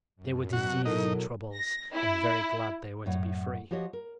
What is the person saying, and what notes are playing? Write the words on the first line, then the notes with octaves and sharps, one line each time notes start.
They were diseases and troubles, and very glad they were to be free.
F#2
B2 F#3 F#4 F#6
D#4 E4 A4 A#4
A#6
E4
F#2 A2 C#5 D5 F#5
F3 F#4 G4 C#5 D#5
A#4